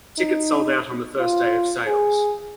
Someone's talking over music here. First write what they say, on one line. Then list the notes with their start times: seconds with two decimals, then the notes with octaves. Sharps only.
Tickets sold out on the first day of sales.
0.19 D#4
1.20 F4
1.87 G#4